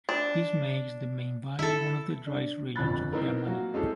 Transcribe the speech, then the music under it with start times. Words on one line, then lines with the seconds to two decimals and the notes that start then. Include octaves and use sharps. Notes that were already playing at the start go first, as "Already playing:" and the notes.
This makes the Main valley one of the driest regions of Germany.
0.09 D4
1.59 E4 A4
2.26 D4
2.76 G1 F2 C#4 B5 F#6 A6
3.12 C4 D#4 E4 A#4 B4
3.46 F#3 A#3 F#4
3.74 G#3 C4 C#4 E4 G4 A4